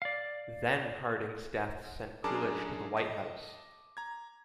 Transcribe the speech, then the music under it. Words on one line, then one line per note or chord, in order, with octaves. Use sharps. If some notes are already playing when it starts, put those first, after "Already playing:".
Then Harding's death sent Coolidge to the White House.
D5 F5
F#2 D4 G#4 A#4 A5 D6
D#5 A5
A#5 G#6